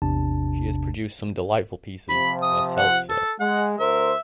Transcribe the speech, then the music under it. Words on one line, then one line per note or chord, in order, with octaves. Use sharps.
She has produced some delightful pieces, herself, sir.
A1 E2 C3 D4 A5
C3 F3 B5
D#6
F#5
A4
G#3 F#5
D2 A#4 C5 E5